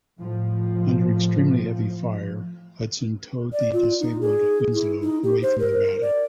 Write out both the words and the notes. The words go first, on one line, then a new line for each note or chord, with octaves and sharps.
Under extremely heavy fire, "Hudson" towed the disabled "Winslow" away from the battle.
A2 F3
D5
F4
D#4
G#4
E4
D#4
G4
C5
A#4
D5